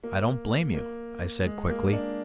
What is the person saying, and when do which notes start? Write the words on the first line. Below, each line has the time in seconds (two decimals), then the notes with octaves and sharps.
"I don't blame you," I said quickly.
0.04 A#3
0.74 A#3
1.45 G#3
1.69 A#3
1.93 D4